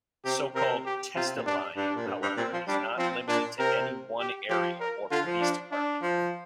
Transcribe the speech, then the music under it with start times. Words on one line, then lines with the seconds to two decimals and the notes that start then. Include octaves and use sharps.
So-called "testilying," however, is not limited to any one area or police department.
0.25 C3 G4
0.55 C3 A#4
0.86 G4
1.16 C3 F4
1.26 C3
1.36 A#2
1.46 G2 D4
1.76 G2 D4
1.96 A#2
2.07 G2
2.22 G2
2.37 A#2 C4
2.53 F3
2.68 G3 D4
2.97 F3 C4
3.28 A#2 D4
3.59 C3 A#4
4.19 G4
4.50 F3 G4
4.80 A#4
5.11 D3 F4
5.26 F3
5.41 D4
5.72 D4
6.02 F3